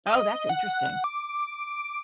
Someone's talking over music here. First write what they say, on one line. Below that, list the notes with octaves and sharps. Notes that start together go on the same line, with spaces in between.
Oh, that's interesting.
D#5
F#5
D6